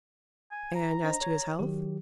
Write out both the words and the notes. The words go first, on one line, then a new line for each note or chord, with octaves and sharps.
"And as to his health?"
G#5
A#5
D4 C5 D#5
C#5 G#6
D#3 F#3 G4